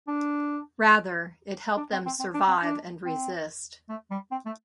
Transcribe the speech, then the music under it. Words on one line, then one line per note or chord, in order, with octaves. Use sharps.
Rather, it helped them survive and resist.
D4
D4
C4
C4
C4
D4
C4
D4
C4
A3
G3
C4
A3